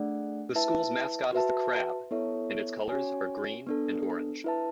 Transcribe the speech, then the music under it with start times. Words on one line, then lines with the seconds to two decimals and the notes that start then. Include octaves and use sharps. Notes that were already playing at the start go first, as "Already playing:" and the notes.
The school's mascot is the Crab, and its colors are Green and orange.
Already playing: A3 D4 G#4 D5 F#5
0.55 E4 B4 E5 A5
1.33 F#4 B4 E5 A5
2.11 B3 E4 A4 C#5 E5
2.89 C#4 F#4 C#5 G#5
3.67 B3 D4 A4
4.44 E4 B4 E5 A5